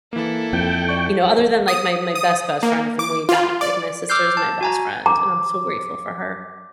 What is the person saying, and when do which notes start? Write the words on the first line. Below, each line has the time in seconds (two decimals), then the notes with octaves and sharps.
You know, other than like my my best best friend from way back, like my sister is my best friend and I'm so grateful for her.
0.13 E3 A#3 E4 A4
0.53 F2 G5
0.89 D5 C#6
1.68 D#6
2.15 D#6
2.63 A#3
2.99 D6
3.29 F4
3.61 D5
4.09 D6 E6 F6 G6 C7
4.37 A5
4.61 F#4 G#5 A#5
5.06 A#5 D6